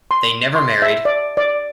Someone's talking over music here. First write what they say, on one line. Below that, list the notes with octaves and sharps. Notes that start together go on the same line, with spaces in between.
They never married.
C6
C6
E5
D5
D5